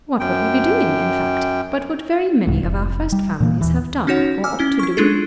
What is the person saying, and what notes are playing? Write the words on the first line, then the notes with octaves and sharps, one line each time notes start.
What will he be doing, in fact, but what very many of our first families have done, or ought to do?
F#2 G5
C2 G#2
F1
G3
A#2 E3 F3 A#3
D#2 E3
C#4 D#4 F#4 C#5 F#5
G#5 D6 E6 F6
C#4 E4 G7
E4 C#6
G#3 D4 E4 F4 G#4 A4